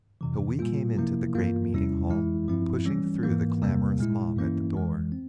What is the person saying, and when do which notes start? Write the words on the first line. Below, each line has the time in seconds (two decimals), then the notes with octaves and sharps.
So we came into the great meeting-hall, pushing through the clamorous mob at the door.
0.21 F2 C3 E3
0.59 A#2 G3 A#3 F4
0.97 C3 F3 A#3 E4
1.35 G2 E3 A#3 F4
1.72 E2 C3 G3 C#4 E4
2.10 F2 E3 G#3 E4
2.48 G2 F3 C4 E4
2.86 E3 G3 C#4
3.23 G#2 E3 A#3
3.62 E2 C3 G3 A#3
3.99 A#2 G#3 E4
4.37 G2 E3 A#3 C#4 E4
4.75 F2 E3 G#3
5.12 C4